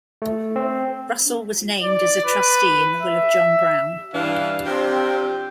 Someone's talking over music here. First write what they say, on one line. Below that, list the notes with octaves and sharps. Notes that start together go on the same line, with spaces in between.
Russell was named as a trustee in the will of John Brown.
A3
C4
D5
B4
E5
G2 E3 D4 F5
C3 F3 C4 D4 G4 G5